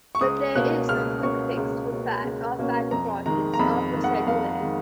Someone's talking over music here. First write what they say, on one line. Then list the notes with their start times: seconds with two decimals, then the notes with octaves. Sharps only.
But there is no quick fix for fat or fat deposits or for cellulite.
0.15 C#6
0.21 C#2 D#6
0.55 B2 A#3 C#4 F#6
0.89 C#2 F6
1.23 B2 A#3 C#4 C#6
1.57 C#2
1.91 B2 A#3 C#4
2.24 C#2
2.58 B2 A#3 C#4
2.91 F2 A#5
3.26 D#3 G#3 A#5
3.54 A#5
3.59 F2 B5
3.93 D#3 G#3
4.04 F#5
4.26 F2 F5
4.60 D#3 G#3